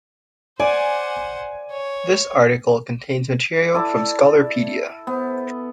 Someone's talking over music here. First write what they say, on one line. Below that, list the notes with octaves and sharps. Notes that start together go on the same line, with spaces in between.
This article contains material from Scholarpedia.
C5 D5 F#5 G#5
C#5
E4 A4 D5 D6
B3 C5